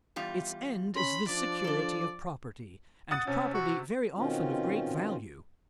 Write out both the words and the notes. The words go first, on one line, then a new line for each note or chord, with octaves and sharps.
Its end is the security of property; and property very often of great value.
E2 G3 F4
C#4 B5 C6
F3 D4 D5 D6
D4 A4
F#5 D#6 A6
C3 C#4
F#4
B2 D#3 C4 C#4 F4